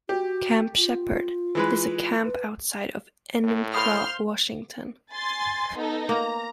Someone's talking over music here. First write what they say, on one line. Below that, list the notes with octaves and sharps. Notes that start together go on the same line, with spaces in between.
Camp Sheppard is a camp outside of Enumclaw, Washington.
F#4 G4
F4
E3 G#3 B4
B4
A2
C5 F5 B5 C6 D#6 F6
G#5 C6 A6
B3 D#4 A4
A#3 A#5